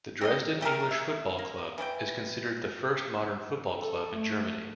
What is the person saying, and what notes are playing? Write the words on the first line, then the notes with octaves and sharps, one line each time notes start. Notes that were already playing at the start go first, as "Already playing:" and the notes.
The Dresden English Football Club is considered the first modern football club in Germany.
C4 D#4 C#5 D#5
A3 G4 G#4 A#4
E5
A#3
E3 E4 C5 G5
A4
A3